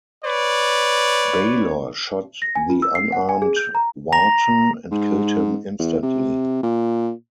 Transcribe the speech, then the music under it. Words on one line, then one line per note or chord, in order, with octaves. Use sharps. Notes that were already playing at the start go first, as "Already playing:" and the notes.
Baylor shot the unarmed Wharton and killed him instantly.
B4 C#5 D5
A#6
G#5
F4
E6
C7
F#5
G#5
G#4
G6
A#5
A#5 A#6 F7
G#2
E2
C3
A#2